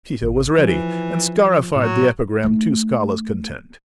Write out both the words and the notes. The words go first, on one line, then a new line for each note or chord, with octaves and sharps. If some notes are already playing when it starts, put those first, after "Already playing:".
Tito was ready, and scarified the epigram to Scala's content.
G#1
E3 F3
A2 F#3
A3 D#4